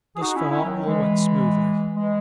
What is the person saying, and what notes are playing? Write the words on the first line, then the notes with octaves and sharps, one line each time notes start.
Thus far all went smoothly.
G#4
D#4 F#4
C#4 E4
C#4 E4
D#3 F#3
E3 G#3
E3 G#3